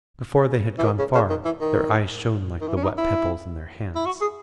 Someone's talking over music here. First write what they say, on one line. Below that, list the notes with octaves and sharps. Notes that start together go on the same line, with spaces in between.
Before they had gone far their eyes shone like the wet pebbles in their hands.
E3
D#3
C#3
C#3
D#3
E3
D#3
D#3
E3
C#4
D#4
E4
E4
F#4
G#4